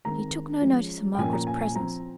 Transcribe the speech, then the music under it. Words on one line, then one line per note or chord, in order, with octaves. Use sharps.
He took no notice of Margaret's presence.
D#3 G#3 C4 A#5
F3 G#3 C#4
G5
A#2 F3 A#3 C#4 G#5
A#5
G#5
G#5
F3 C4 A#5